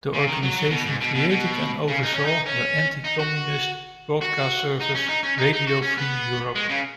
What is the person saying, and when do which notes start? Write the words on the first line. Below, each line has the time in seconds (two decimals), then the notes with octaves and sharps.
The organization created and oversaw the anti-communist broadcast service Radio Free Europe.
0.13 C#3
0.27 D#3
0.43 F#3
0.57 F#3
0.71 B2
0.86 G#2
1.01 B2
1.15 B2
1.30 B2
1.88 C#3
2.03 D#4
2.13 C#4
2.25 D#4
2.46 C#4
3.05 D#4
3.19 F#4
4.21 F#4
4.80 D#4
4.95 C#4
5.09 D#4
5.23 C#4
5.38 D#4
5.53 D#4
5.67 F#4
5.82 C#4
5.97 B3
6.55 G#3
6.69 C#3